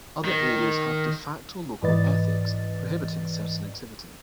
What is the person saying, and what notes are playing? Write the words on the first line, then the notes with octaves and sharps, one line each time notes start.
Other areas have "de facto" local ethics prohibiting certain activity.
D#3
G#2 E3 B4 D5 D#5 A6